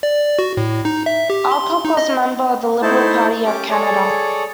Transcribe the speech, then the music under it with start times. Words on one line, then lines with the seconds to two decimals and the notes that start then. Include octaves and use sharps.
Alcock was a member of the Liberal Party of Canada.
0.03 D5
0.39 F#4
0.57 A2
0.85 D#4
1.06 E5
1.30 G4
1.52 C6
1.85 D#4
1.97 D#5
2.82 A3 D#4 E4 C5 A5
3.46 C#4 G4 D6
3.70 G#4 A4 C#5 D5